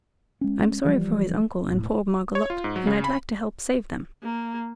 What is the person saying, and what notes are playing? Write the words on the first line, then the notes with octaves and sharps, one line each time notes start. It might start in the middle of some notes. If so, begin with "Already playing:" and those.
I'm sorry for his uncle and poor Margolotte and I'd like to help save them.
G#3 C#4
E3 F3 G3
E1 A2
C#5
F4
G#2
F#3
C#3
B5
A#3